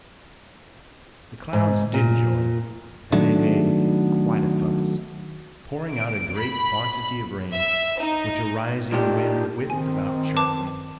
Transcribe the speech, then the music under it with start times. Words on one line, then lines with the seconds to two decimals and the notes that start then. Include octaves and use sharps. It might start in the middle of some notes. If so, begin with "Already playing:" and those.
The clouds did join, and they made quite a "fuss," pouring out a great quantity of rain, which a rising wind whipped about sharply.
1.53 G#2
1.94 A#2
3.12 D#3 F#3 A3 B3 D4
5.93 D7
6.38 B5
7.52 E5
7.98 D#4
8.92 A#2 D#3 D4 G4
9.70 D#3 C4 G#5
10.37 B4 A5 D6